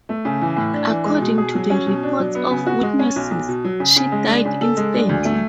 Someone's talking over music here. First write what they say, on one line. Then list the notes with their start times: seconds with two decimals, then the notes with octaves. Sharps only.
According to the reports of witnesses, she died instantly.
0.09 A3
0.25 C#3
0.41 E3
0.57 A2
0.73 D4
0.89 E3
1.05 G#3
1.21 B2
1.38 G#4
1.55 F#3
1.70 C#4
1.87 B2
2.03 D4
2.19 F#3
2.35 B3
2.51 C#3
2.66 F#4
2.83 G#3
2.99 C#4
3.16 B1
3.31 B1
3.48 B2
3.65 F#3
3.80 C#3
3.96 C#3
4.12 G#3
4.28 D4
4.45 C#3
4.61 A4
4.77 G#3
4.94 D4
5.09 D2
5.25 A3